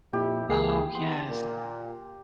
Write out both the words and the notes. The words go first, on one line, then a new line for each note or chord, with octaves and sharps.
Oh, yes.
F2 A#2 E4 G4
C#2 A#3 G#4 C7
E3 B3 C6
A#2